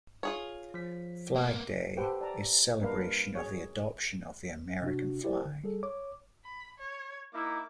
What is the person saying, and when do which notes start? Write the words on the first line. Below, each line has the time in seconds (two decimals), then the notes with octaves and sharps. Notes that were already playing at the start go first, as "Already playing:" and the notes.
Flag day is celebration of the adoption of the American flag.
0.23 F4 G#4 C#5
0.74 F3 B6
1.36 A#3 B3
1.97 G4 A4 B4 C5 F#5 G5
2.21 D5 A5 A#5
2.80 G3 A#3 D4 A#4 B4 F5
3.35 G#4 C#5
4.82 C3 D4 F#4
5.24 E4 G4 A#4 C5 D5
5.45 D3
5.64 G3 G#4 A4
5.83 C#5 D6
6.44 B5
6.78 C#5
7.34 A#3 D#4 E4 D6